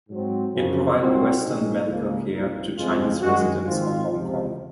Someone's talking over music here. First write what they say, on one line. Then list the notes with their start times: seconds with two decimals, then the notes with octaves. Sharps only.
It provided Western medical care to Chinese residents of Hong Kong.
0.09 G#2 F#3 C4
0.54 F#2 C#3 F3
0.98 C2 A#2 F#3 C4
1.43 A#1 A#2 G#3 C#4 D#4
1.87 C#2 C#3 F3 A#3 C#4
2.32 C2 A#2 F3 D#4
2.76 F2 C#3 F3 G#3 C4 F4
3.21 F#2 D#3 G#3 F#4
3.65 G#1 G#2 F3 C4 F4
4.10 C#2 C3 F3